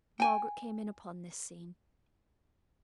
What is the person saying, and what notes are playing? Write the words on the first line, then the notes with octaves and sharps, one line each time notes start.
Margaret came in upon this scene.
G5 G#5